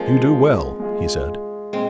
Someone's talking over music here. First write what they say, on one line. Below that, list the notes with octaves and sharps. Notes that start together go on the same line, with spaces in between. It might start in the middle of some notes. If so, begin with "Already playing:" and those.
"You do well," he said.
Already playing: F3 G#3 A#3 C4 G#4
G#3 F4 G#4
A#2 G#3 C4